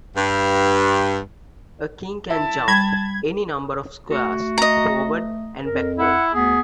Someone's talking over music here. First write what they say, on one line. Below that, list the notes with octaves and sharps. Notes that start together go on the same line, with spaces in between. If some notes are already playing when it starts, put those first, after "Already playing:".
A king can jump any number of squares forward and backward.
G2
E4 A5
G3 B5 G#6
A3 F#4
D#5 A#5
F2 A#4
E4 F#5
D2 B3 G#4